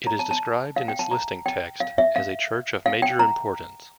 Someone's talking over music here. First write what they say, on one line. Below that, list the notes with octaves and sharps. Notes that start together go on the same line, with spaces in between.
It is described in its listing text as "a church of major importance".
A#5
A5
A5
F5
G5
A5
A#5
G5
F5
E5
F5
F5
G5
A#5